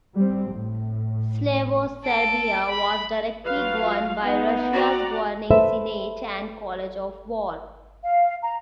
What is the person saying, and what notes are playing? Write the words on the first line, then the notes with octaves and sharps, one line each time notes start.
Slavo-Serbia was directly governed by Russia's Governing Senate and College of War.
G3 C4
A2
A4 D7
B5
F#3 F4 B4 F5
B3 D#4
F#4 D5 F#5 A#5
A4 B4 C5 E5
F5
A#5